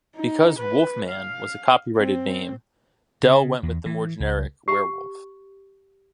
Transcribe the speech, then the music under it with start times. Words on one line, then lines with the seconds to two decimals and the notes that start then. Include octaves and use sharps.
Because "Wolfman" was a copyrighted name, Dell went with the more generic "Werewolf".
0.16 D#4
0.58 B4
1.09 F5
1.97 C4
3.23 C#3
3.63 E2
3.86 E3
4.20 C#2
4.68 G4